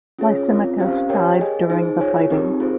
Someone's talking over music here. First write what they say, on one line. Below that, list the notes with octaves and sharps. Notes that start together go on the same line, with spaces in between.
Lysimachus died during the fighting.
C#4 F4 G#4 C#5
C4 F4 A#4
C#4 G4 C5 F5
G4 A#4 C#5 G5
G#4 D#5 G#5
D#4 G#4 C5
F4 G#4 C#5 G#5
C4 D#4 G4 A#4
F4 G#4 C5